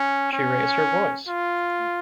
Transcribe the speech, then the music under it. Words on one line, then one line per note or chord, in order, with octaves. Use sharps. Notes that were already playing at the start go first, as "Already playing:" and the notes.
She raised her voice.
Already playing: C#4
C#4
F4